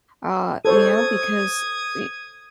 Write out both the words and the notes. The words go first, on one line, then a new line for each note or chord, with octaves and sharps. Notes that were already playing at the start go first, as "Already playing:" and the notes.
uh, you know, because eh
A4 C5 C#5 D#6 G#6